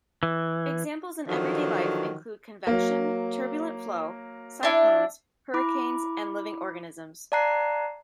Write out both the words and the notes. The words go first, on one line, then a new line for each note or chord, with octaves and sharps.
Examples in everyday life include convection, turbulent flow, cyclones, hurricanes and living organisms.
E3
D3 D#3 F3 F#3
F#3 A#3
D4 E4
E4 B5 D6
D5 F5 A5 A#5 F#6 C7